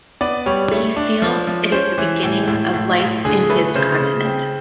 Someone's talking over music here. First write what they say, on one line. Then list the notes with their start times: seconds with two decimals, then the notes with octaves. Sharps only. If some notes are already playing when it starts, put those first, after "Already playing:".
He feels it is the beginning of life in his continent.
0.21 B3 D5
0.46 G3 C#5
0.72 A3
0.96 D4
1.22 F3
1.47 F3
1.72 C#4 C5
1.98 E3
2.23 A2
2.48 A2
2.74 A2
3.00 A2
3.25 D3 G#4
3.50 A3 B4
3.75 C#3 C5
4.00 C#3
4.25 C4